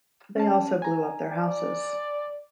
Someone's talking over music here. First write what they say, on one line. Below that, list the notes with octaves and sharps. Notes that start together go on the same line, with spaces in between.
They also blew up their houses.
C#4 A5
G#5 A#5
D5